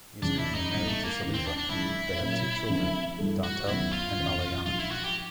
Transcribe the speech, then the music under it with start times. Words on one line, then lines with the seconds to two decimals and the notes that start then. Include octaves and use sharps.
He is currently married to Shalifa; they have two children, Dantel and Alayana.
0.22 F1 E2 C#3 F3 D4
0.39 E4
0.55 D#4
0.71 A1 G#2 E3 G3 B3 D#4
0.87 A3
1.04 A#3
1.21 D#2 C#3 E3
1.34 C4
1.46 D4
1.57 D4
1.70 G#1 F#2 C#3 E3 G#3 E4
2.20 A#2 F#3 A#3 C#4
2.69 F#2 D3 F3 A3 C4
3.18 G2 E3 A3
3.43 F#4
3.67 D#2 C#3 F#3 B3 E4
3.92 F4
4.17 E1 E2 C#3
4.66 A#1 G#2 F3 F4
4.79 E4
4.91 F#4
5.04 G4